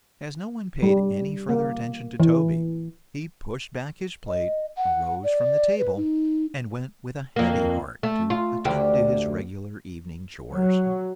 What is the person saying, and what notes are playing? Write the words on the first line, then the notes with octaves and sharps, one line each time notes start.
As no one paid any further attention to Toby, he pushed back his plate, arose from the table, and went with a heavy heart to attend to his regular evening chores.
G3
A#3
E3
D#5
F#5
D5
B4
D#4
F2 A#3
A3
F4
D2 G4
F#3